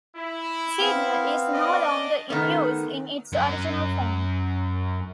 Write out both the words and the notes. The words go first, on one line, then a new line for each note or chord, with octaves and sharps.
The procedure is no longer in use in its original form.
E4
B3 C4 F5
D4 D5 D#5
D#3 A3 B3 C#4
F#2 F#3